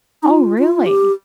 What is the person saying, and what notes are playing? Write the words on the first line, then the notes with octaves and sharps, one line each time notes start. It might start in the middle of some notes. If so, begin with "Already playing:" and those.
Oh, really?
D#4
F4
F4
G4